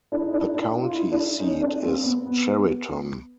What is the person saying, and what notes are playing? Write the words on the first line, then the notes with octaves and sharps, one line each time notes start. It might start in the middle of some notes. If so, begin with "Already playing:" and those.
The county seat is Chariton.
D4 E4
D#4
D4 E4
D4 E4
F4
E4
D#4 F4
D4 E4
C#4 D#4
C4 D4
A#3 C4
B3
B3